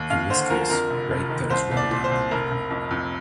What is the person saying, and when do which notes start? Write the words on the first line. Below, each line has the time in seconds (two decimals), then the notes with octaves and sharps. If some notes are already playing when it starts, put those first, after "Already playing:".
In this case, write that is "rolled up".
Already playing: D#2
0.10 D#2 F5
0.30 D3 C5
0.50 F3 A#4
0.70 F2 A#4
0.90 F1
1.11 F1
1.30 D#3
1.50 C2 C5
1.71 C2
1.77 D5
1.90 A#2
2.04 C5
2.11 C2
2.31 F1 A#4
2.51 F1
2.70 F2
2.91 F2